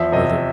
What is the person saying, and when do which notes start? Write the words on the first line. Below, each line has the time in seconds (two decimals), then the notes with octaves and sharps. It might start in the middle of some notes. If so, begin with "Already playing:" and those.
Where the
Already playing: E2 F3 E5
0.12 C3 D#5